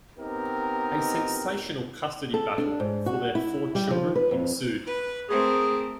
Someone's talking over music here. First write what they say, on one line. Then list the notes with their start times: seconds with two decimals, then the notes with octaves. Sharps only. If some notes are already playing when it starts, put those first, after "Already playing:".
A sensational custody battle for their four children ensued.
0.18 B3 C4 D#4 G4 A#4
2.34 A4
2.58 D4
2.80 G#2
3.06 F#4
3.35 E4
3.75 G3
3.91 F3
4.16 B4
4.31 F2
4.88 B4
5.29 A3 C4 G#4 A#4